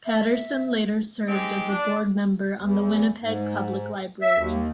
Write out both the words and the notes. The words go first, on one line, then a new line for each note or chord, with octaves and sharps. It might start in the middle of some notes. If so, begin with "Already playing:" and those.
Patterson later served as a Board Member on the Winnipeg Public Library.
E5
G#3 C4 D#4 G4
D4
E2
G#2
E5
D#2